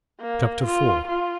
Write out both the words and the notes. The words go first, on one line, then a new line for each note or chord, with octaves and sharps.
Chapter IV.
A#3
F4
F4